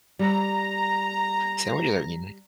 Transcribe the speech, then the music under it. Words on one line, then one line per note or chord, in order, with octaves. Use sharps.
Sandwiches are eaten
G3 A#5